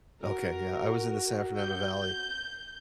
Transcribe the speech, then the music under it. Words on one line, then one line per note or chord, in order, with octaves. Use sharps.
Okay, yeah, I was in the San Fernando Valley.
F#4 A#4
G6